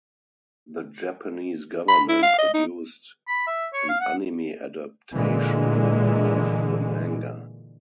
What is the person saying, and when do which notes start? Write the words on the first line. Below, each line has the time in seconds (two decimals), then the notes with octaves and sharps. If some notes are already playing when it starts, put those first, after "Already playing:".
The Japanese government produced an anime adaption of the manga.
1.89 B5
2.09 E4
2.23 F5
2.38 D#5
2.54 D#4
3.27 B5
3.47 E5
3.73 C#5
3.89 F5
4.00 F#5
5.13 A#2 D3 E3 G#3